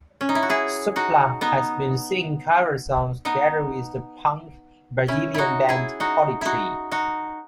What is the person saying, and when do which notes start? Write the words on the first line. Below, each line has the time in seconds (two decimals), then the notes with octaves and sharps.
Supla has been singing cover songs together with the punk Brazilian band Holly Tree.
0.21 C#4
0.29 D#4
0.35 E4
0.43 F#4
0.49 E4 G#4
0.96 D#4 F#4
1.41 B3 D#4
3.25 B3 D#4
5.08 C#4 E4
5.34 D#4 E4 F#4
5.69 E4 G#4
6.00 D#4 F#4
6.41 D#4 E4 F#4
6.91 D#4 F#4